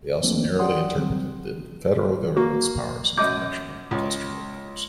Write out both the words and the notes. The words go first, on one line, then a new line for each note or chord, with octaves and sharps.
They also narrowly interpreted the Federal government's powers in commercial and industrial matters.
F3 A3 A#3 C4 D4
G4 D5 F#5 C6 D#6
D3 F#3 G3 C4
A#3 F#4
F#2 D#5 D6 G6
C#2